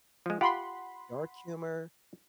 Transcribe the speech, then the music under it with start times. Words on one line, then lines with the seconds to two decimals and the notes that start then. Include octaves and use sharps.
dark humor,
0.26 F3 G#3
0.41 F4 G4 F5 F#5 B5 C6